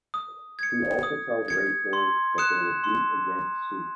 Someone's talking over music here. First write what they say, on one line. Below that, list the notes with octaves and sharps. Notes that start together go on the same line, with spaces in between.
He also tells Rachel that they will meet again soon.
D#6
G#6 C#7
D#6
G#6 C#7
C6
D#6 F#6 C#7 E7
C6